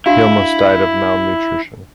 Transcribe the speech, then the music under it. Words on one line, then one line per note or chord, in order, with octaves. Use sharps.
He almost died of malnutrition.
D4 E4 F#4 F5